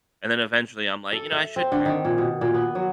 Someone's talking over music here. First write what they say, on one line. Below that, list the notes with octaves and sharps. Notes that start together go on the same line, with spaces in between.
and then eventually I'm like, "You know, I should care."
A4
E5
C4
D3
D#3
A#2
B2
A#2
B3
F#3